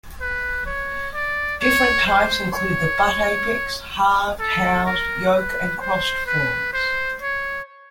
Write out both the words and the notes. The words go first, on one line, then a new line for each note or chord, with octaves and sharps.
Different types include the butt apex, halved, housed, yoke, and crossed forms.
B4
C#5
D5
C#5
C5
C#5
A4
A#4
B4
C5
B4
C5
C#5